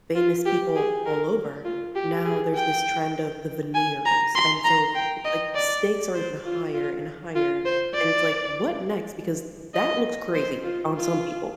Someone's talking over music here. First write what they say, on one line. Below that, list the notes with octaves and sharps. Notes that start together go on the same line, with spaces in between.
famous people all over. Now there's this trend of the veneers, and so it's like the stakes are even higher and higher, and it's like, what next? Because that looks crazy on some people.
F4
G4
G#4
A#4
F4
G4
G#4
G5
G#5
A#5
C6
A#5
G5
D#5
D5
C5
F4
F4
F4
C5
D5
D#5
C5
F4
F4